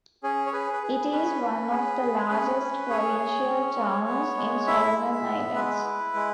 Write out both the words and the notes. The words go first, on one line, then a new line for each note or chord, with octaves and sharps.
It is one of the largest provincial towns in Solomon Islands.
C#4 G#4
C#5
G#4 B4
B4
G#4
C#4 B4
C#4
G#4
G#4
C#4
C#4
G#4 C#5
G#4
C#4
G#3
B3
G#3
E4 E5
G#3
B3
G#3 B4
E4
G#3